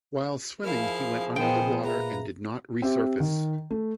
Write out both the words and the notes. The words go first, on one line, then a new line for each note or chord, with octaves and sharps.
While swimming he went under the water and did not resurface.
F3 E4 G#4 A#4 F5
A#2 B3 A#4 C5 D#5 G5
A#3 F4 G#4 B4 E5 A#5
C4 G4 E5
D#3
A3